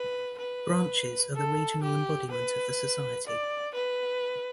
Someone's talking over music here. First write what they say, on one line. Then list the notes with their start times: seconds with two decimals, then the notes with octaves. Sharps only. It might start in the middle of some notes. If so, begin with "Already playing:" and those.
Branches are the regional embodiment of the Society.
Already playing: B4
0.39 B4
1.35 A4
1.83 G4
2.31 B4
3.27 D5
3.74 B4